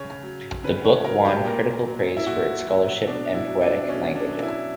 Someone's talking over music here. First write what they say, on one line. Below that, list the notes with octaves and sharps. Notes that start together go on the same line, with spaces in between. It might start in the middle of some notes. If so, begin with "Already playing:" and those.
The book won critical praise for its scholarship and poetic language.
Already playing: C#3 C#5
F#3
C#3 B4
C#5
F#3 A#4
G4
A#2 A#4
F#3
E4
A#2 F#4
F#3
B2 D4
E4
F#3
D4
B2 C#4
D4
F#3
E4